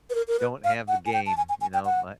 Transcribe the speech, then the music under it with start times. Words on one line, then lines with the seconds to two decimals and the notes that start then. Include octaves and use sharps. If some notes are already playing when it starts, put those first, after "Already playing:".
don't have the game, you know, my
0.10 B4
0.15 A#4
0.28 A#4
0.39 B4
0.64 F5
0.88 F#5
1.06 G#5
1.13 G5
1.26 A5
1.37 G#5
1.49 G#5
1.61 G#5
1.74 G5
1.85 F#5